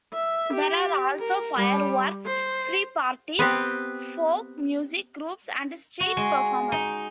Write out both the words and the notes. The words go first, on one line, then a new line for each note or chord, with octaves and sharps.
There are also fireworks, free parties, folk music groups and street performers.
E5
G4
A#4
G3
C5
B3 C4 G4 B4
F#4
G#3
D#4